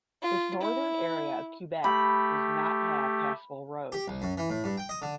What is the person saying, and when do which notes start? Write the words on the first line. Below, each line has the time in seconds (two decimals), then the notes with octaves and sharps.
This northern area of Quebec does not have passable roads.
0.22 F4
0.61 E4
1.84 A3 G4 B5
3.92 G4
4.08 C2
4.22 F#2
4.38 E3
4.50 A2
4.64 G2
4.78 G5
4.89 D#5
5.02 D3